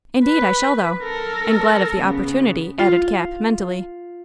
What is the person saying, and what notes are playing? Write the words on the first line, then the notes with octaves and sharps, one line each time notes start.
"Indeed I shall, though--and glad of the opportunity," added Cap, mentally.
B4
A4 A#4
C#3 B3
F4